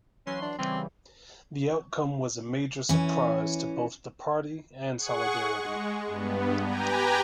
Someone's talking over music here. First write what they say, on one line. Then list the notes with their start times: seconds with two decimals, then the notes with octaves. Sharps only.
The outcome was a major surprise to both the Party and Solidarity.
0.27 E3 F#3 C#4 C6
0.42 D4
0.58 C#3 E3 G3 C4
2.89 E3 C#4
4.97 G#4 F#5 C#6
5.53 G#3
6.06 G2 B3
6.63 G4 B4 G5 G#5 A#5